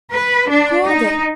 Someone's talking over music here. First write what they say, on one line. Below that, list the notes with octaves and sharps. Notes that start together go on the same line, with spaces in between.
"Who are they?"
B4
D4
D#4